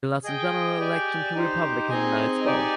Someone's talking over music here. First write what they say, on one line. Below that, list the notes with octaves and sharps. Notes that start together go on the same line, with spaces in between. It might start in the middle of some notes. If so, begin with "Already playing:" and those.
He lost in the general election to Republican Nils Boe.
G#4 D#5 G5
G4 D5 G#5
D#4 G4 C5
C4 D#4 G#4 D#5 G#5
D#4 G4 D5 G#5